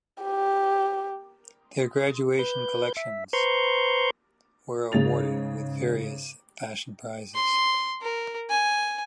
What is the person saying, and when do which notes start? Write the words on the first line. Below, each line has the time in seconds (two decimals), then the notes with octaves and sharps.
Their graduation collections were awarded with various fashion prizes.
0.23 G4
2.39 B4 G6
2.97 E5
3.33 B4 C5 A#5 C6 C#6 G6
4.92 G#2 C#3 G#4 A6 F7
7.34 C6
8.02 A#4
8.50 G#5